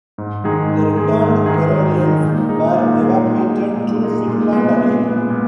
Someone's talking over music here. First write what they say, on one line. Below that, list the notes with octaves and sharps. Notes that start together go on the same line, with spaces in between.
The returned Karelians were evacuated to Finland again.
G#2
D#3 G#3 D#4 G#4
G#2
D#3 G#3 D#4 G#4
G#2
D#3 G#3 D#4 G#4
G#2
D#3 G#3 D#4 G#4
A#2
G#3 D#4 G#4
A#2
G#3 D#4 G#4
A#2
G#3 D#4 G#4
A#2
G#3 D#4 G#4
A#2
G#3 B3
A#2
G#3 B3
A#2